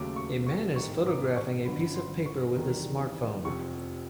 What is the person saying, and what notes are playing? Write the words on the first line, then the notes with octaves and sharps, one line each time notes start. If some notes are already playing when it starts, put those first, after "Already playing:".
A man is photographing a piece of paper with his smartphone.
Already playing: D#2 C#3 F#3 A3 D6
C#6
C#6
A1 G#2 D#3 C#6
D6
C#6
G1 F#2 D3 B5
C6
C#6
E2 C3 D#3 G3
F1 F2 C3 C#6